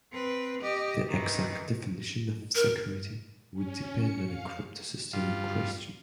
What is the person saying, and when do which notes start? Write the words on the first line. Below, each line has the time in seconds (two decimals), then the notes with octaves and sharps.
The exact definition of security would depend on the cryptosystem in question.
0.12 C4 B4
0.62 G4 D#5
1.08 D#3 E3
2.55 A#4
3.54 C#4
3.92 C#7
4.25 F5
5.13 G2 F4